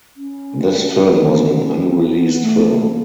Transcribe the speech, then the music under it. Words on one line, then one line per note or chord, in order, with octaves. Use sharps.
This film was an unreleased film.
C#4
C4
B3
D4
C#4
C4
B3
A3
A#3